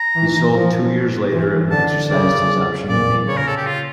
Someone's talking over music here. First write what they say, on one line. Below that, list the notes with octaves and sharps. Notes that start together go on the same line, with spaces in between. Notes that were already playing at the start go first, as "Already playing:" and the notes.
He sold two years later and exercised his option to name it.
Already playing: A#5
E3
F3
E3
D3 A5
C#3 D5
A#2 D5
C#3 C#5
A#4
A4
G4
F4